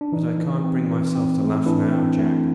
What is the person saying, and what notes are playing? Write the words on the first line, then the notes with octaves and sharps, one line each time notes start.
But I can't bring myself to laugh now, Jack.
D4
E3 D#4
E3
C4
E3
C4
A3
E3 D4 E4
C4
A3